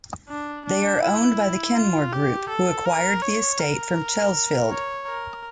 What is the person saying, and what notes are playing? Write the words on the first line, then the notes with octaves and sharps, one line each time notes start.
They are owned by the Kenmore Group, who acquired the estate from Chelsfield.
D4
D4
E4
F4
G4
A4
A#4
C#5
A#4
C#5
A#4